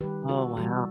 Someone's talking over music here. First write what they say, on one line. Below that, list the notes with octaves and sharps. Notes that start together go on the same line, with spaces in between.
Oh wow.
D#3 G3 G4 B4
F#4 A4
C3 E3 G3 F#4 A4